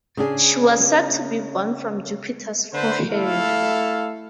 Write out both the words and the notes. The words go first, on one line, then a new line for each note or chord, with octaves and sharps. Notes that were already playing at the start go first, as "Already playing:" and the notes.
She was said to be born from Jupiter's forehead.
C#3 D4 G#4
D3 A3 B4 C5
A3 E4 A4 F5